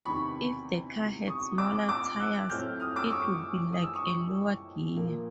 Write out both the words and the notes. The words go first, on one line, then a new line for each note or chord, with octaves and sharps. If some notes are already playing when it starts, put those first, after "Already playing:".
If the car had smaller tires, it would be like a lower gear.
E2 C3 D#3 B5 C#6
C#6 D#6
D6 E6
D6 E6
E6 F#6
A2 F#3 A3 C4 F6 G6
D#6 F6
D6 E6
E6
C#6 D#6
D#6
E6
C#6 D#6
A#2 F3 A#3